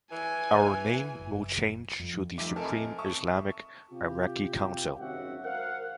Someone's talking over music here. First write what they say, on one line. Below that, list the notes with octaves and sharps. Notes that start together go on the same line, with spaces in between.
Our name will change to the Supreme Islamic Iraqi Council.
E3 G#5
F#1
F2
F1 F2 D#3 E5 D6
C4 A4 A#4 D#5 G#5 A5
E5 A5 C#6 D#6
C3 F4 G4
G#1 F#2 F#4 E5 F#5
A#4 C5 F5 F#5